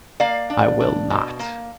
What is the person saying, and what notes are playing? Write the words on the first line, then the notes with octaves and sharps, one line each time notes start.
"I will not."
A#3 D5 F5
D4
D4
B2
A#3